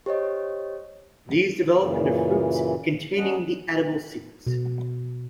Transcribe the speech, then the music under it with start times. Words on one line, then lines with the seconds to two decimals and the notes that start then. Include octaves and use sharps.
These develop into fruits containing the edible seeds.
0.06 G4 C5 C#5 D#5
1.78 F#2 A#2 C#3 E3
3.17 F#3 C#4 D4 D#5 F#5
4.47 B2